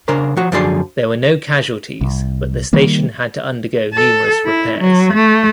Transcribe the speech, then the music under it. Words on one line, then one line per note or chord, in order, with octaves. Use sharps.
There were no casualties, but the station had to undergo numerous repairs.
C#3 D4 A#4 C5 C6
F3 F#4
F#2 D3 F3 G#4 D5 C6
C2
D#3 G3 A#3
A4
E4
F#3
A3